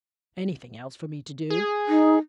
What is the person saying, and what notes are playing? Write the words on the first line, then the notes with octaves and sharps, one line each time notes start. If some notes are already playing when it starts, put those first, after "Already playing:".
"Anything else for me to do?"
G#4
D#4